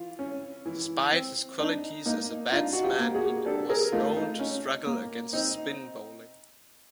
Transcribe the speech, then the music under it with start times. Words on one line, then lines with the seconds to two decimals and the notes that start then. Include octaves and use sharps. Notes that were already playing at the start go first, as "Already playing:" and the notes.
Despite his qualities as a batsman, he was known to struggle against spin bowling.
Already playing: E3 F4
0.19 C#4
0.66 E3
1.12 C4
1.59 D4 D#4
2.06 A#3 D#4
2.52 D4 D#4 F4
2.73 F#4
2.83 F4 G4
2.99 A#3
3.15 F#4 G#4
3.46 D4 G4 A4
3.69 G#4 A#4
3.92 A3 D#4 F4
4.16 D#4
4.39 C#4
4.86 A#3
5.33 C4 D#4